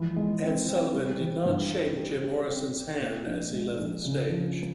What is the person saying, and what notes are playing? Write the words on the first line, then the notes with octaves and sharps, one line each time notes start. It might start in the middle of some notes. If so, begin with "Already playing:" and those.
Ed Sullivan did not shake Jim Morrison's hand as he left the stage.
Already playing: G#2 E3 F3
G#3
C4
C4
G3
E3
G2
G3
G4
G4
C4
C4
A#2
A#1
G#3
A#1
C#3
F3